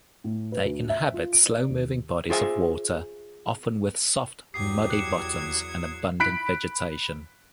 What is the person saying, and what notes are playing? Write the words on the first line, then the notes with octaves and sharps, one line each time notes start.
They inhabit slow-moving bodies of water, often with soft, muddy bottoms and abundant vegetation.
A2
B4
D2
E5
F4
D7
D5
D#2
F4 G#4 C5 E5 G5 G#5
E2 F#3 G4 D#6 G#6 C7
F#6 C#7 E7
B5 F#6 B6 D7